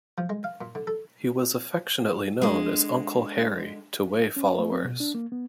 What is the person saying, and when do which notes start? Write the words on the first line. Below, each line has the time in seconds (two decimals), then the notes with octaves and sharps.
He was affectionately known as Uncle Harry to Way followers.
0.18 F3
0.29 G#3
0.44 F5
0.61 A#2
0.75 D3
0.87 A4
2.42 D3 G#3
4.36 C#4
4.59 A3
4.71 C4
4.85 B2
5.00 D4
5.15 A#3
5.32 B3